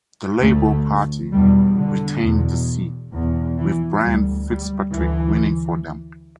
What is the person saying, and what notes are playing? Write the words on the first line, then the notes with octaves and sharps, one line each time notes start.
The Labour Party retained the seat with Brian Fitzpatrick winning for them.
D2 A3
E2 B2 G3
D3
E2 B2
E2 B2
E3
D2 G3
G3
D2 E3